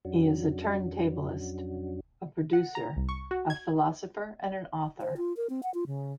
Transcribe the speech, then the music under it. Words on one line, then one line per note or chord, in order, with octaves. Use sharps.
He is a turntablist, a producer, a philosopher, and an author.
F2 F#3 C#4 D4 F#4
F#5
A#5
C2
C#6
F#4
G#6
C5
F4
A#4
C4
F#5
F4
C#3